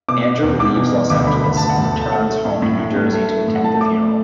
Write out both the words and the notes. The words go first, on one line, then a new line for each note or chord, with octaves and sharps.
Andrew leaves Los Angeles and returns home to New Jersey to attend the funeral.
B2 D6
B3
E2
E2 D6
B2
B2
D2 D6
D3 B5
D2 B5
D2 A5
F#5
D2 A5
A3
A5
A3 F#5
A3
A2
A2
A2
A2
A3
A3
A2
F#5
A2 A5
A3 D6
A3